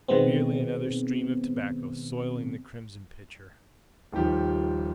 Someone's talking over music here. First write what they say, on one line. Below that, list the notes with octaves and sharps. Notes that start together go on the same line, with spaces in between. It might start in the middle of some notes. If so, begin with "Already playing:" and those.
Merely another stream of tobacco soiling the crimson pitcher.
B2 D#3 G#3 B3 C4
D#1 D#3 F3 G4